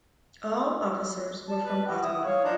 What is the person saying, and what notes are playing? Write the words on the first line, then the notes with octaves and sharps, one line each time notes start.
All officers were from Ottawa.
A5
B4
F#4 G4
E4 D#6
C#5 F5
F3 D4 D#4